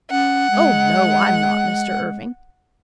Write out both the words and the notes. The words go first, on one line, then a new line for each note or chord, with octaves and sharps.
Oh, no, I'm not, Mr. Irving.
C#4 F#5
G#3